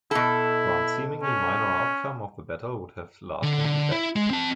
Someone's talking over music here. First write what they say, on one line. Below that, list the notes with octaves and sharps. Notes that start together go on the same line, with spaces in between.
One seemingly minor outcome of the battle would have lasting effects.
B2 E4 A4
C#4
D3
D3
E4
G#3
C4 A5